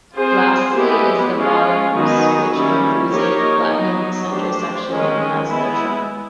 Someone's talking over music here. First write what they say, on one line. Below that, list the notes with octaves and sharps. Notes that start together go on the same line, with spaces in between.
Lastly is the bottoms which includes a flattened center section known as the trunk.
C4 F4 G#4 C5
G#3 B3 E4 G4
G#3 C#4 F4
D#3 F#3 B3 D#4 G#4
D#3 G3 A#3 C#4 E4
A#3 D#4 G4 A#4 C#5
F#3 B3 D#4
A3 D4 G4 C5
D#3 G#3 C#4
G#3 B3 E4